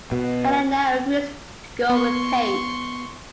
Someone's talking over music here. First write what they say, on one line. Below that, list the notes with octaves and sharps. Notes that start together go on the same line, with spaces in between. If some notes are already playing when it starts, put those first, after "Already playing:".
Helena agrees to go with Kate.
B2
B3 C6 C#6